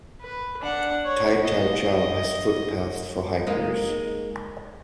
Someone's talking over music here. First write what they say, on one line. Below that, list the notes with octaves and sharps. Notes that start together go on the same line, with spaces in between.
Tai Tau Chau has footpaths for hikers.
B4
D4 F#5
C#5
D#5
G#3 A#3 D#4